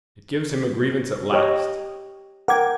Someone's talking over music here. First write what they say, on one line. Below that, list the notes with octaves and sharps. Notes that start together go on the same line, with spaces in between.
It gives him a grievance at last.
G4 C#5 D#5
A#4 F#5 G5 D6 G#6